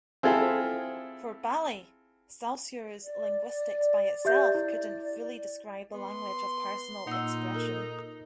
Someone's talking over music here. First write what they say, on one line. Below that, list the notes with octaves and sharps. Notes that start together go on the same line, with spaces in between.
For Bally, Saussure's linguistics by itself couldn't fully describe the language of personal expression.
C4 E4 F4 G#4 A4
D5
G4 E5 G6
E4
B3 C6
A#2 D#4 F#5 E6
A4 A#4